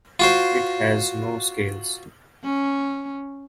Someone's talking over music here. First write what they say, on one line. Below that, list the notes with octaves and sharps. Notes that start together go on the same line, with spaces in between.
It has no scales.
F4 F#4 C5
C#4